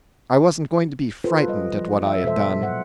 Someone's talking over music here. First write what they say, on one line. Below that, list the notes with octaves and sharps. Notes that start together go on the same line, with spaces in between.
I wasn't going to be frightened at what I had done.
F4 A4 B4 C5
G3 D#5
F3
E5
B2 G#3 A4 C5 E5
A#2 F#3 C5 F#5